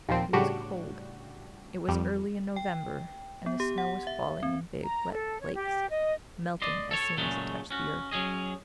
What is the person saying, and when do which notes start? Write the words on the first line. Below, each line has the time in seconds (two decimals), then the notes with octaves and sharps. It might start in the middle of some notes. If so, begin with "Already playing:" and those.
He was cold, it was early in November, and the snow was falling in big wet flakes, melting as soon as it touched the earth.
0.08 D#2 A#2 F3 C4
0.33 A2 C#3 G3 D4 F#4 G4
1.88 F2 G3
2.56 G5
3.46 B3
3.60 G4
3.78 F#5
4.07 E5
4.43 C4
4.83 A#5
5.12 A4
5.40 C#5
5.55 G4
5.90 D#5
6.62 D5 D#5 C6
6.91 A4 C#5
7.18 A#2 C#3 F#3 G#3 A3
7.71 C#4 F#4
8.11 F#3 C#4 G#4 D#5